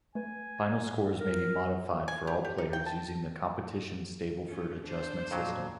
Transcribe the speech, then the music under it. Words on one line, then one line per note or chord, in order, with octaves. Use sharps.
Final scores may be modified for all players using the Competition Stableford Adjustment system.
A3 B4 G#5
A#5 A6
A#4
G#5
G4
G4
D#4
G5
A5
C#4 F4
D4 C5
F2 A#2 F#3